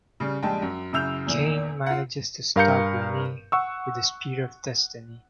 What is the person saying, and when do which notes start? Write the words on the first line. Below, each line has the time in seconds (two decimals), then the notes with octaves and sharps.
Cain manages to stab Renee with the Spear of Destiny.
0.20 C#3 G3
0.43 A#1 G3 G#3 G5 A5
0.62 F#2
0.92 F#2 C#3 E4 E6 G6 F7
1.27 E2 A#2 E3
1.86 F4 F#5
2.56 G2 A#4 F5 A#5 G6 C#7
3.52 F#5 C#6 E6